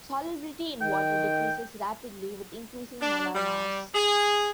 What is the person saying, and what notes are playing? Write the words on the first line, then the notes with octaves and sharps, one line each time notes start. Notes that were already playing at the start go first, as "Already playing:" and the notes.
Solubility in water decreases rapidly with increasing molar mass.
D#3 G5
D4
G3
G#4